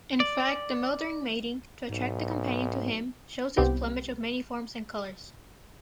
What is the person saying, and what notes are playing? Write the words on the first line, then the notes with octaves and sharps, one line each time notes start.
In fact the male during mating, to attract the companion to him, shows his plumage of many forms and colors.
D5
B1 G#2
C2 B3 C4 G4 B4 G5